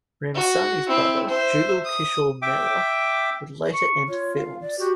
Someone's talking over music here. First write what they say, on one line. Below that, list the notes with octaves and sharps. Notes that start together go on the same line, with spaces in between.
Ramsarni's brother, Jugal Kishore Mehra, would later enter films.
F#4
C4 E4
C5 E5
D#6
E5 G5 D6
C#6
F4 C#5
F5
D5
F#4 G4